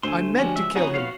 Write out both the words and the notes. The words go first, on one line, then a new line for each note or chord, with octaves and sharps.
I meant to kill him.
D2 A3 C5 E5 G#5 C6
F3 G3 C#4 F#4 G#5
C#2 E5
F1 B3 D#4 E4 F#4 C#5 G#5
B3 C#5 F5 C#6 C7